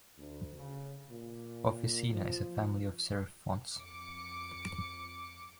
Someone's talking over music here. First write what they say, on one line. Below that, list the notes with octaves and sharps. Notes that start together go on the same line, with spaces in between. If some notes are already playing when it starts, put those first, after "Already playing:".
Officina is a family of serif fonts.
D2
C#3
A#2
F3
F2 D6 C#7